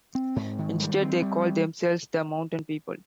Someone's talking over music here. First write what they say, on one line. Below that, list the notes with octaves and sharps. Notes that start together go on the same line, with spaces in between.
Instead, they called themselves The Mountain People.
C4
G#2
D#3
G3
C4
G3